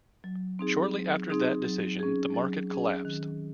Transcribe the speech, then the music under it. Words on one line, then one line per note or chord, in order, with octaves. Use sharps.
Shortly after that decision the market collapsed.
F#3
C4 D#4 G#4
F#3
C4 D#4 G#4
F#3
C#4 G#4
F#3
C#4 G#4
D#3